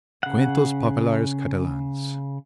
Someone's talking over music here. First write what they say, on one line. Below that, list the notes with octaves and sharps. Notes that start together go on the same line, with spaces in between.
Cuentos Populars Catalans.
C#3 F#5